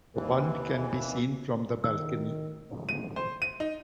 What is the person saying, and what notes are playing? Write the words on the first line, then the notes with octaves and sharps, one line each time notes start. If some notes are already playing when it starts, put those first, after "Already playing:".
The Bund can be seen from the balcony.
D#2 E3
D#3 E6
D#7
C5
D#7
D#4